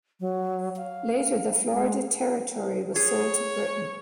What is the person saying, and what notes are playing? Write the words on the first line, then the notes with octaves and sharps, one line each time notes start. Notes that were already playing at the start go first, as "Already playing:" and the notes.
Later, the Florida territory was sold to Britain.
F#3
F5
G#3
G#4 C#5